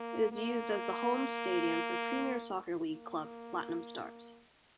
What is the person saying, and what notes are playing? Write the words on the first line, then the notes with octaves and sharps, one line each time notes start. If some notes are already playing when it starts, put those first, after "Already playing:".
It is used as the home stadium for Premier Soccer League club Platinum Stars.
Already playing: A#3
A#3
A#3